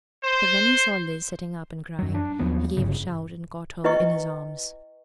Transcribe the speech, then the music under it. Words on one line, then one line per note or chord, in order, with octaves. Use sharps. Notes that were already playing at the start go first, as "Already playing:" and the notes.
But when he saw Liz sitting up and crying he gave a shout and caught her in his arms.
C5
F#2 F#3
D4
D#2 F3 F#3 B3
G1 G2 C#3
E4 B4 D#5 G5 C#6